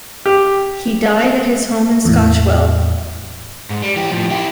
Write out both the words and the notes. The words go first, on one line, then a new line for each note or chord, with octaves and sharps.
He died at his home in Scotchwell.
G4
E2 A2
G#2
G3
E3 G4
A2 F3
E4 G4